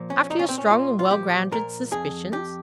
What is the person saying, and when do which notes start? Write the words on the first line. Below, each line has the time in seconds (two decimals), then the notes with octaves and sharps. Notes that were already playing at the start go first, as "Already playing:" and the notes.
"After your strong and well-grounded suspicions?"
Already playing: A#2 F3
0.10 C#4
0.30 A#2 D#4
0.39 C#4
0.49 C4
0.58 C#4
0.70 A#2 F4
0.99 F4
1.11 F3 G4
1.52 A#2 A#4
1.91 F2 G#4
2.32 F2 G4